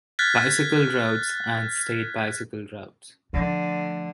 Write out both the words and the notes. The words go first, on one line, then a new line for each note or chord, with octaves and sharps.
Bicycle Routes and state bicycle routes.
F6 F#6 G#6 A6 B6
D3 F3 A3